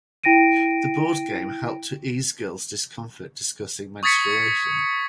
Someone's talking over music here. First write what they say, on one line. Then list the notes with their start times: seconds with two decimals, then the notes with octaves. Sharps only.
The board game helped to ease girls’ discomfort discussing menstruation.
0.24 E4 G5 A#6 D7 D#7
4.03 C#6 D#6 G#6 A6 B6 C#7